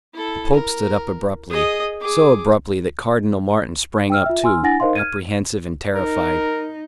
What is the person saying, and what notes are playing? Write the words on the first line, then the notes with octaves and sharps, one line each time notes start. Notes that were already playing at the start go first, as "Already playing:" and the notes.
The Pope stood up abruptly--so abruptly that Cardinal Martin sprang up too, apprehensive and terrified.
E4 A4
A#4
G#4 D#5
G#4 D6
G5 E6 F6
F4 E5
G#5 C6 E6 F6
D4 E4 F#5 G#5 A6 A#6
D#4 A#4 C5 D#5 F5 C6
F6 G#6 D#7
D#4 A#4